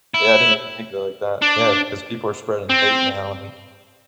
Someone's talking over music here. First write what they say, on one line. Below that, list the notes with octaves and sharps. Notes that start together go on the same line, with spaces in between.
Yeah, I didn't even think of it like that, yeah, because people are spreading hate now and then
E4
D4
C4